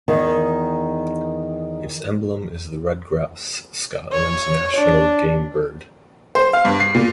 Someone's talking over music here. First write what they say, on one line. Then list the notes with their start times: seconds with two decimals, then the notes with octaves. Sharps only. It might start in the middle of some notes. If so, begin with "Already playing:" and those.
Its emblem is the Red Grouse, Scotland's national game bird.
0.08 E2 D#3
4.13 C#5
4.77 D4
6.35 C5
6.53 F5
6.65 G2
6.80 C7
6.95 A#2